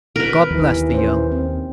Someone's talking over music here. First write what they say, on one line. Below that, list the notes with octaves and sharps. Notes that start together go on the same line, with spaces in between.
God bless the young!
B2 A#4 B4
D#2 D#3 E3
C#4 C5
C4